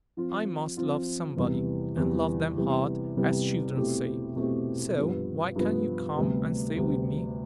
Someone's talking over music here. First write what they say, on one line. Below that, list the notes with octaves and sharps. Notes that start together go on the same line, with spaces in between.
I must love somebody, and 'love them hard,' as children say; so why can't you come and stay with me?
F3 C4 F4
F3 C4 F4
E2 C3 G3 B3
E2 C3 G3 B3
C3 E3 G3 B3
C3 E3 G3 B3
B2 A3 C4 E4 G4
B2 A3 C4 E4 G4
G2 F3 B3
G2 F3 B3
D2 C3 G3 B3
D2 C3 G3 B3